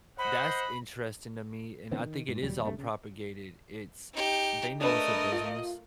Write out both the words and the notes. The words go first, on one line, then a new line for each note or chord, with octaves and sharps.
that's interesting to me and I think it is all propagated, it's they know it's a business,
C5 D#5 F#5 B5
D3 E3 B3 C4
D#3
G#2
D1 D#2 F#3 G3
C#2 G2 C3 A3
C#3
D#4 G4
A3 D4 A#4 B4 D#5
F4